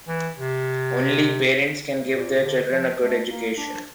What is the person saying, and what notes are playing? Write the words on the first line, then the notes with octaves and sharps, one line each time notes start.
Only parents can give their children a good education.
E3
C3
A#2
D3
F3
A3
A#3
D4